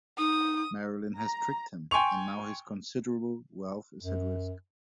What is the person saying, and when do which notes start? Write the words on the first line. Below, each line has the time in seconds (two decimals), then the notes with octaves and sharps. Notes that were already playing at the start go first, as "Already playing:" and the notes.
Marylin has tricked him, and now "his" considerable wealth is at risk.
0.18 D#4 D#6
1.17 A#5
1.91 G5 G#5 C6 C#6 F7
4.02 F#2